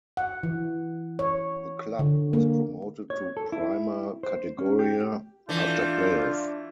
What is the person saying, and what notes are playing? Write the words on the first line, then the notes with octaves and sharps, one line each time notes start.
The club was promoted to Prima Categoria after play off.
F#5
E3
C#5
D3
A#3
C#5
A4
E4
C5
C#4
G4
E3 A3 D4 F4 G6